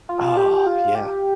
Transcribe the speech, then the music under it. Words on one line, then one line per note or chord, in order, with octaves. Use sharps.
Oh, yeah.
F4
G4
F4
G4